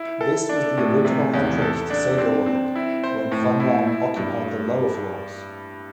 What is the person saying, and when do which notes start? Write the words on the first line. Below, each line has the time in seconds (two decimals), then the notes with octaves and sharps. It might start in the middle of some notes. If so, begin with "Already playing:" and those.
This was the original entrance to Segaworld when Funland occupied the lower floors.
Already playing: E4
0.21 A4
0.49 D4
0.77 A2
1.05 C3
1.34 E2
1.62 A4
1.90 D4
2.18 C4
2.46 C4
2.76 E4
3.04 C5
3.32 A2
3.60 E4
3.87 E4
4.17 G2